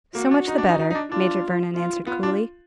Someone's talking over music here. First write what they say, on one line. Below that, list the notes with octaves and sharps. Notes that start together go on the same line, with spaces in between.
"So much the better," Major Vernon answered, coolly.
A#3 F#4
D4
D#4
D4
D#4
D#4
D#4
D4
D4 F4
F4
B3 F4
D4